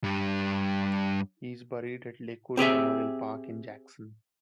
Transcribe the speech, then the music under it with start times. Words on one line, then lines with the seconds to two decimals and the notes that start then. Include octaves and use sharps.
He is buried at Lakewood Memorial Park in Jackson.
0.04 G2 G3
2.57 C4 G4 G#4 E5